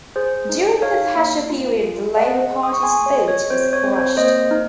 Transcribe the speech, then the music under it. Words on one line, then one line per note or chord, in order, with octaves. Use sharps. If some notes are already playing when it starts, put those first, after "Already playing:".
During the Thatcher period the Labour Party's vote was crushed.
G#4 C5
D#4
D#4 C#5 F5
A#3
F4
G#4
G#4 D#5 F#5
G#4
D#6
C#6
G#4 G#5 C6
C#5
G#4 D#5
C#5
C4 C5
C#5
C4
C5
A#3 C5 D#5
D#4